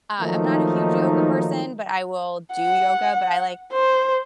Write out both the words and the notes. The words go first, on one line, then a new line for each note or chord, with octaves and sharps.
uh I'm not a huge yoga person, but I will do yoga, but I like
D#3 F3 F#3 A3 A#3 D#4
F#5
C5